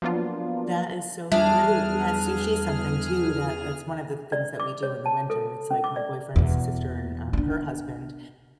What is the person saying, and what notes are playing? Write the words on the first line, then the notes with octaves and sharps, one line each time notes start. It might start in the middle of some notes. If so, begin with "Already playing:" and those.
That is so great, yeah, sushi is something too that that's one of the things that we do in the winter, it's like, my boyfriend's si sister and, um, her husband,
F3 F#3 A#3 B3 D4 F4
E2 G3 D4 G#4 E5 F6
D5
D6
C#5
A5
A4
C#4
D6
D5
E2 B2
B3 D4